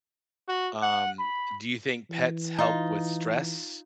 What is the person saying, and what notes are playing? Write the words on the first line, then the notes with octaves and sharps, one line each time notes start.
um, d do you think pets help with stress
F#4
F#5
B5
E3
D#4 F4